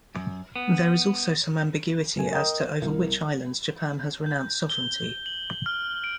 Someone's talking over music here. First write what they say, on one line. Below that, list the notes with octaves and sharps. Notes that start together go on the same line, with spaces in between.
There is also some ambiguity as to over which islands Japan has renounced sovereignty.
F#2
B3
F#1 A3 G#5
A#4 D#5 G5 A#5 D#6 G6
C5
C2 E4 A#4
G6
G7
F#7
F6
D7